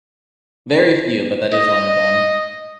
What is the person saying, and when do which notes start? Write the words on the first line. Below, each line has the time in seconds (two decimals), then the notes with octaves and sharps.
Very few, but that is one of them.
1.54 D#5